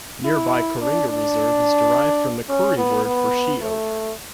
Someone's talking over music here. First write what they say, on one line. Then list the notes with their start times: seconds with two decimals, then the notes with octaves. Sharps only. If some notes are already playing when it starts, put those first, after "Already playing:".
Nearby Kooringa Reserve is derived from the Koori word for sheoak.
0.25 E4
0.81 D4
1.09 D4
2.49 C#4
2.77 B3
3.05 B3
3.61 A3